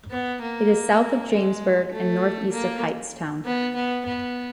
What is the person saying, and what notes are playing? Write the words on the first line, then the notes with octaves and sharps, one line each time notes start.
It is south of Jamesburg and northeast of Hightstown.
B3
A#3
G#3
A3
A#3
B3
B3
B3